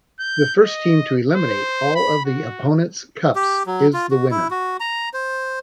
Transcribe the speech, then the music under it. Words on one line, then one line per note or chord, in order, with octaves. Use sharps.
The first team to eliminate all of the opponent's cups is the winner.
G6
D#5
C5
B5
F#4
G4
F#3
F4
F#4
E4
F#4
A#5
C5